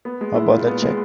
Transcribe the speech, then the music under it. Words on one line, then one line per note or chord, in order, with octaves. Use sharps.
How about that check?
B3
G#3
E4
A#2
B3
G#3